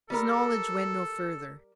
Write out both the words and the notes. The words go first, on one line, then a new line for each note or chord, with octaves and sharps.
His knowledge went no further.
G3 A4 A#4